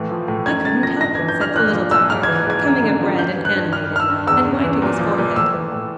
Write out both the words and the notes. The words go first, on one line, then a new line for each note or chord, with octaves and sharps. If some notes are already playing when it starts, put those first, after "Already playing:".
"I couldn't help it," said the little doctor, coming up red and animated, and wiping his forehead.
Already playing: A2 E3
F3
A2
F#2 G#6
C#3 A6
F3 A#6
G2 A#6
E3 G#6
G6
G2 F6
A#2 F#6
F3
A#2 E6
G#2 F6
G#6
E3
G#2 G#6
F#2
D3
F3
G2 G6
E3
F#6
G2
G2 F6
D#3 F6
E6
G2
E2 E6
C#3
E3
A#2
F3
A#2
A2 E6
E3
A2